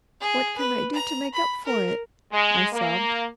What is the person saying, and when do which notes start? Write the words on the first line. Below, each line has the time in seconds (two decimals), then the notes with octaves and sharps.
"What can I do to make up for it?" I sobbed.
0.20 G#4
0.57 B4
0.94 A#5
1.34 B5
1.64 A#4
2.33 G#3
2.73 A#3